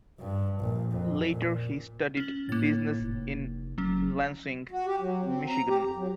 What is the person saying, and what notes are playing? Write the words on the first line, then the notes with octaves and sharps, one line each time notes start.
Later, he studied business in Lansing, Michigan.
G2
A#1
F2
A#2
C#4 F#7
A2 A#3 A6
F1
F#1 F#3 C#4
F#4
G4
F#3
C4
A#5
G4
F2
F#3